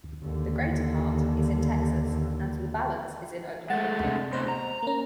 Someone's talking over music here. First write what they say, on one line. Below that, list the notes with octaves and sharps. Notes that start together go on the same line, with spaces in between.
The greater part, is in Texas, and the balance is in Oklahoma.
D#2 D3
G#3 A3 F#5 A6
C3 D4
A2 B3 C5 D#5
A#5
A#3 C#4